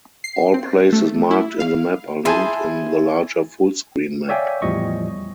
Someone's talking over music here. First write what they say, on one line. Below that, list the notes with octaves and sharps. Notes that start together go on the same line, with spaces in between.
All places marked in the map are linked in the larger full screen map.
C7
C4
A3
E4
F5
E4 G#4 C5 G#5 A5 B5
C#5 D5 E5 F5 G5 G#5
E2 A2 F3 G3 D#5 C#6